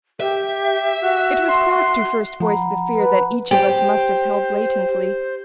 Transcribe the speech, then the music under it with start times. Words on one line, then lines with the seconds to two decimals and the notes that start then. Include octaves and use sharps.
It was Kraft who first voiced the fear that each of us must have held latently.
0.20 G4 E5
1.01 F#4
1.49 C6
2.40 F3 F#5 A#5 B5
2.98 B4
3.51 G4 C5